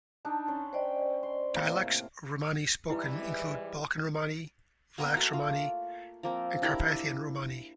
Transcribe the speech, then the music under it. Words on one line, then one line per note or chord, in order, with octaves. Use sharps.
Dialects of Romani spoken include Balkan Romani, Vlax Romani, and Carpathian Romani.
D4 D#4 A4
C#4 D5 C6
C5 D5 D#5 G5 B5
C6
A2 C3 A#3
G#2 E3 G3 E4 B4
A#3 B3 A#4 G5
A3 A#3 F#4
F4
F3 A#3 C4
D4 E4 G4 A#4